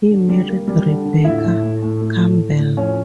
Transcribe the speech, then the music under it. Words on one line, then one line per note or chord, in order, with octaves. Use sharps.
He married Rebecca Campbell.
D3
G3
A#3
G3
D3
D3
A2 E4 E5
A2
A2
A2
A3
A2
A2
A2
F3 C#4 C#5